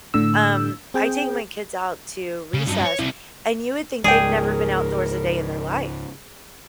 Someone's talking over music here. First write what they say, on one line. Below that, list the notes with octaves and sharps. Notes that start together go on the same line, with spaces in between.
Um, I take my kids out to recess, and you would think they've never been outdoors a day in their life.
A2 D3 E6
C4 G#4 G5
C#3
G2 F#3
C#5
C3 E4
C#2 G#2 G#4 A#4 D5 G5